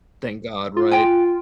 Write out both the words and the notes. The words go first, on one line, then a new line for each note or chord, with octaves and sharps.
Thank god, right?
F4
G5 G#5